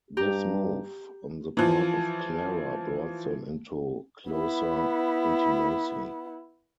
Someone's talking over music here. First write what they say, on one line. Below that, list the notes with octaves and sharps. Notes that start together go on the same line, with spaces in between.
This move on the part of Clara brought them into closer intimacy.
G2 G4 A#5
E3 F3
B3 E4